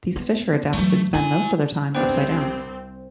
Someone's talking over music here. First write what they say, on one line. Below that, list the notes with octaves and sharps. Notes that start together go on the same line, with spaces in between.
These fish are adapted to spend most of their time upside-down.
B3
E3 F#3 A3
E4 F#4 G#5
C2 C3 B3 C4 D4 C5 G5